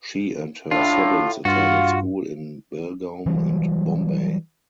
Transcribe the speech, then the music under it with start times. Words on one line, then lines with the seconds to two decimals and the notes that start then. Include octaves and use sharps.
She and her siblings attended school in Belgaum and Bombay.
0.71 A2 D4 F4
1.45 G2 F4 F#4
3.26 E3 F#3 G3